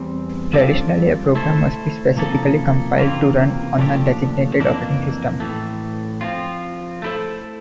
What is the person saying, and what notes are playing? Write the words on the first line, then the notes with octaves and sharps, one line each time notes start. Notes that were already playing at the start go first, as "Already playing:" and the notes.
Traditionally, a program must be specifically compiled to run on a designated operating system.
Already playing: E2 G3 C4
G3 C4 F4 A4 D5
A3 E4 A4 C5
C3 F3 A#3 E4 A4
C3 E3 A#3 F4
A#2 F3 A3 D4 G4
F2 E3 A#3 D4
A2 E3 A3
F3 C4 F4
A3 E4 A4 C5